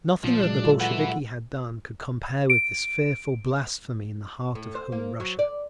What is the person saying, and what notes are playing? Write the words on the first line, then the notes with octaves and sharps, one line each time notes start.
Nothing that the Bolsheviki had done could compare with this fearful blasphemy in the heart of Holy Russia.
A#2 F3
F#3 G#3 D4
F4 A4
E4 B4 F#5
D7
A2
C5
A#3
F#3
D5